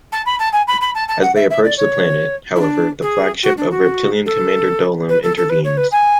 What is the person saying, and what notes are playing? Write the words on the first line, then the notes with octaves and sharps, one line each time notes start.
As they approach the planet, however, the flagship of Reptilian Commander Dolim intervenes.
A5
B5
A5
G#5
B5
B5
A5
A5
F#5
E5
E5
D5
C#5
E4
D4
G#4
F#4
D4
F#4
A4
B4
A4
A4
B4
C#5
B4
G#5